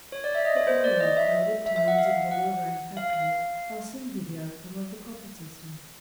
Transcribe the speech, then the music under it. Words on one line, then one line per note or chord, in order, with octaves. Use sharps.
For all our crowded towns and bewildering factories are simply the outcome of the profit system.
C#5
D5
E5
D#5
C#5
C5
D5
D#5
E5
E5
E5
F#5
F5
F#5
F5
F5